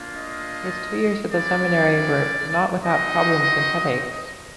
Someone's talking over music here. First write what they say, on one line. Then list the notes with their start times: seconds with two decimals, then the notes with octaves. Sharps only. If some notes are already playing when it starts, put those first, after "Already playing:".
His two years at the seminary were "not without problems and headaches".
Already playing: A#3 D4 F4
0.16 D#5
1.31 G#3 C#4 E4 D5
2.83 C4 D#4 F#4 D#5